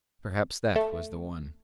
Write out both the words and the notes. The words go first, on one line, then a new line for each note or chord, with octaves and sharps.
Perhaps that was the one.
A3